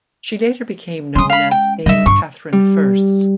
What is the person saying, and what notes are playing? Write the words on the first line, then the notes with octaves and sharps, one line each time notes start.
She later became known as Dame Katharine Furse.
G#3 C#4 C6 D#6
F5 B5
G5
C#3 G3 D#5 E5
G2 C#6
G3